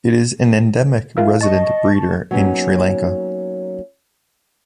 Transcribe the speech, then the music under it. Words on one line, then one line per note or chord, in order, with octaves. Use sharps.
It is an endemic resident breeder in Sri Lanka.
F4 A#4 E5 F5
D#5 A5 C#6
F#3 A#3 B3 C#4 D#4